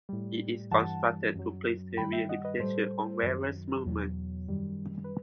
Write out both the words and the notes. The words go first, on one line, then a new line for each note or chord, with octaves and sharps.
It is constructed to place severe limitations on the wearer's movements.
A2 G3
G2 E3 G3 F#5 A5
F#2 F#3
G2 D#3 G3 G5 B5
E5 G5
D#5 F#5
B4 D#5
A2 G3 A4 C5
F#2 D#3 F#3
E2 B2 F#3
F#2 D#3 G3
B4